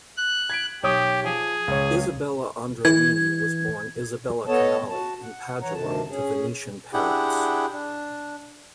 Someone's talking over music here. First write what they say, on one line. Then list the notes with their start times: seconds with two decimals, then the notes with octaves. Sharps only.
Isabella Andreini was born Isabella Canali in Padua, to Venetian parents.
0.17 F#6
0.50 G#6 B6 D7
0.83 B1 G4 C#5 D#6
1.24 F3 G#4
1.67 C#2 C#5
2.85 E3 G#6
4.47 B3 A4 C#5 D#5 A5
4.89 F#4 A5
5.22 F#5
5.62 E3 C#5 F#5 A#5
5.74 D2 G2 C3 D#3 A5
6.08 C#4 G#4
6.93 D4 E4 G4 G#4 F#5 G5
7.73 D4